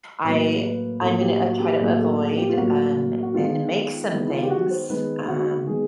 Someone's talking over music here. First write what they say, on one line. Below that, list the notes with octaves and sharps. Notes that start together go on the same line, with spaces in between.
I I'm gonna I try to avoid, um, and make some things, um,
A2 F#3 A#3 B4
B4
A2 F#3 A#3 A4
G4
F#4
G4
A2 F#3 A#3 G#4
G#4
A4
G#4
G4
F4
A2 F#3 A#3 F#4
F#4
D#3 G#3 B3 F4
D#3 G#3 B3 E4
E4
F4
G4
F#4
C5
D#3 G#3 B3 B4
F#4
D#3 G#3 B3 G#4